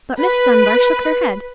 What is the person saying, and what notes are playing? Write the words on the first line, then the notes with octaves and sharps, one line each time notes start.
But Miss Dunbar shook her head.
B4